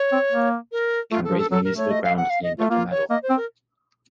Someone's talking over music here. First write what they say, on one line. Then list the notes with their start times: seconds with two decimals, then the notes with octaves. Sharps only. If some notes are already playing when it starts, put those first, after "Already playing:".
Cambre's municipal ground is named after Mallo.
Already playing: C#5
0.12 C4
0.32 A#3
0.72 A#4
1.11 A3 F4
1.24 A4
1.31 F3
1.38 A4
1.51 F#3 A4
1.64 A#4
1.71 A3
1.78 C#5
1.90 D#5
2.04 F5
2.17 F#5
2.30 F5
2.43 D#5
2.58 A3 F4
2.70 A#3 F4
2.91 C#5
3.09 A#3 D#5
3.23 C5
3.30 C4
3.36 A#4